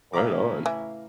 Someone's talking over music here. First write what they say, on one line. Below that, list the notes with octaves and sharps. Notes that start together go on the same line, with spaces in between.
Right on.
A2 C#3 E4 F5 A#5 D6
E3